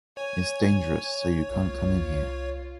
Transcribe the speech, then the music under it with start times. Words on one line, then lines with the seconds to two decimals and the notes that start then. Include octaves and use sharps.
It’s dangerous, so you can’t come in here.
0.17 C#5 G#5
1.50 C2 F4